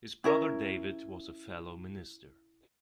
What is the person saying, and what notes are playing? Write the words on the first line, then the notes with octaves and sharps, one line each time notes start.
His brother David was a fellow minister.
C#4 E4 A#4